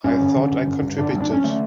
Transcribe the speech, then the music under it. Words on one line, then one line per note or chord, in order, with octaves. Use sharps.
I thought I contributed.
G2 C#4
D3
D3
G2
D3
G2
D3 D4
C#4
G2
D4
G2
C#4
D3 A3